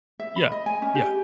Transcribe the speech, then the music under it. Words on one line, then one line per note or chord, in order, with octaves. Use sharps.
yeah, yeah.
E5
B5
D#5
G#5
C#4
G4